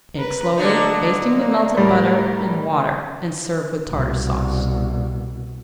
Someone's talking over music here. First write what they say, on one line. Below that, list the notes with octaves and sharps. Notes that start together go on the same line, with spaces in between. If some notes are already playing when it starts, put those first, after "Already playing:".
Bake slowly, basting with melted butter and water, and serve with Tartar Sauce.
A#4 B4
D3 F#3 A#3 D4 D#4
G#3 A#3
A2 G3 A#4 B4
C2 B2